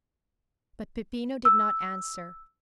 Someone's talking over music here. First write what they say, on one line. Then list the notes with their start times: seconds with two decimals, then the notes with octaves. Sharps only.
But Peppino did not answer.
1.45 E6